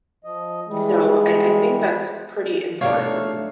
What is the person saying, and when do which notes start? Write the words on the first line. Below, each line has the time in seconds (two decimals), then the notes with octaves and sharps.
so I I think that's pretty important.
0.24 F3 D#5
0.68 E3 G3 G#3
2.81 A3 D4 D#4 C#5 F5